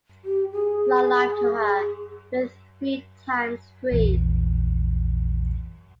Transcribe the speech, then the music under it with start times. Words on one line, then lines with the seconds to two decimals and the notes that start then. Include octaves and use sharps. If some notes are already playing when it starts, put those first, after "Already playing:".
Long life to her, with three times three!
0.24 G4
0.52 G#4
3.91 A#1 E2